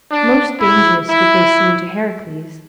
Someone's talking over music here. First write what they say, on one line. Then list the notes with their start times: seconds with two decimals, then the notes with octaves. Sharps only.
Most dangerous did they seem to Heracles.
0.11 D4
0.60 E4
1.09 E4